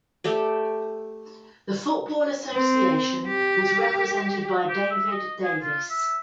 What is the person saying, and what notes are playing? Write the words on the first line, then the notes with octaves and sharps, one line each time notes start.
The Football Association was represented by David Davies.
A3 G4 D5
C4
G4
G4
E5
D#5
G#4
F4
E5